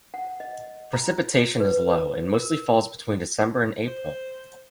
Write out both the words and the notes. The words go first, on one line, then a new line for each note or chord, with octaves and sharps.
Precipitation is low, and mostly falls between December and April.
F#5
D#5
A#5
B4
A#4
C5